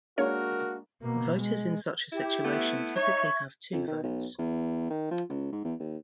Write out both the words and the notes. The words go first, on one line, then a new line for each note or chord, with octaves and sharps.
Voters in such a situation typically have two votes.
G#3 A#3 D4 F#4 A#4 C#5
B2 A#3
G#3
E4 G4
A3 B3
D#4 C#5 E5 C#6 G#6
F2
D#3
B1
E2
D#3
F3
C#2
G#2
E2
D#2